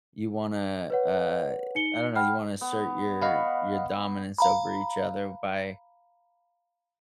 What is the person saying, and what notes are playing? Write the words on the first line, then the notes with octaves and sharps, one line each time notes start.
you wanna, uh, I don't know. You wanna assert your your dominance over each other by
B4 C#5 F#5
D#4 C#7 G7
F#5 G5 A5 B5 F6
B3
D#5 F5 F#5 B5 C#6
F5 A#5 B5